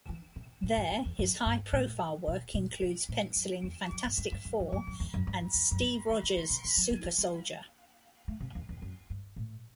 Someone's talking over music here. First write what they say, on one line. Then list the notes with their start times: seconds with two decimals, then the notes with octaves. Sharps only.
There, his high-profile work includes pencilling "Fantastic Four" and" Steve Rogers: Super-Soldier".
0.09 E3
0.36 C3
0.63 A2
0.77 G2
0.91 F#2
1.05 E2
1.19 F#2
1.46 G2
1.73 A2
2.28 B2
2.54 B2
2.83 B2
3.09 A2
3.36 F#2
3.64 E2
3.91 F#2
4.05 G2
4.18 G2
4.32 G2
4.45 F#2
4.60 F#2
4.72 F#2
4.87 F#2
5.00 E2
5.14 F#2
5.27 G2
5.40 F#2
5.54 E2
5.71 F#2
5.82 G2
6.09 E3
6.23 D3
6.37 D3
6.50 C3
6.64 C3
6.77 F#3
6.91 F#3
7.04 E3
7.18 G3
8.28 A3
8.40 C3
8.55 E2
8.69 E2
8.82 F#2
9.10 G2
9.36 A2